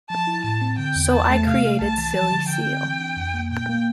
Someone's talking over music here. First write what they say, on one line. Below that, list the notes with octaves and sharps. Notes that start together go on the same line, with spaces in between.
So I created "Silly Seal".
F3 A5
E4
A2 A5
C4
D3 G5
E2
E2 A5
A3
C3 F5
A3
C2 A5
E3
F3 A5
D3
D3 G5
C4
E3
D4
F2
A#3
A#2 G5
A#3